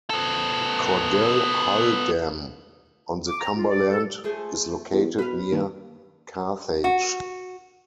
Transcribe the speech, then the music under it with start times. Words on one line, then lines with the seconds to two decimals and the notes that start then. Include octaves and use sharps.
Cordell Hull Dam on the Cumberland is located near Carthage.
0.10 B3 A4
3.27 D6
3.40 A#5
3.56 F4
3.69 D5
3.89 A4
4.24 F3 A3 G#4
4.92 E2
5.19 B2 B4 F5
5.51 D#2
6.84 F#4